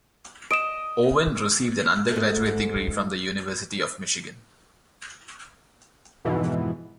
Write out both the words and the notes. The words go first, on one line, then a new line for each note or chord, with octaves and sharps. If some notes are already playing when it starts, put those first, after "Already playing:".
Owen received an undergraduate degree from the University of Michigan.
D#5 D7 E7
G#2 A3
F2 G#2 B2 E3